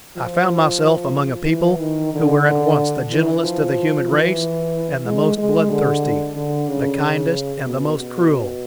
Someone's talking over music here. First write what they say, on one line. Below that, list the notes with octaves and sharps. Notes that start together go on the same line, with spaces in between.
I found myself among a people who were at once the gentlest of the human race and the most blood-thirsty--the kindest and the most cruel.
F3
E3
D#3
D3
E3
F3
E3
G#3
G#3
D3
D3
C#3
B2
B2